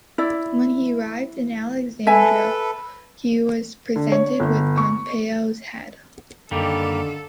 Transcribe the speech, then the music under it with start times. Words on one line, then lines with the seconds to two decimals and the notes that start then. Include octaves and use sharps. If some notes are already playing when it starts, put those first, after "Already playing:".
When he arrived in Alexandria, he was presented with Pompey's head.
0.18 E4 D5
2.07 A4 B4 E5 G#5
3.96 D3
4.12 C#5
4.40 G1
4.78 C#6
6.51 F#2 D3 D#3 G3 A#3 G4 A4